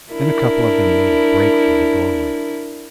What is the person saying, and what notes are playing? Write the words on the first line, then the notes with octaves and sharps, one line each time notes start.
Then a couple of them made a break for the doorway.
D4 E4 A#4